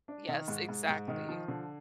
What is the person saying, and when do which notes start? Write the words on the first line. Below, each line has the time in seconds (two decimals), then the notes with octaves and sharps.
Yes, exactly.
0.08 D4
0.29 D#3
0.48 G#2
0.69 G#2
0.88 G#2
1.08 D#3
1.29 F3
1.48 D3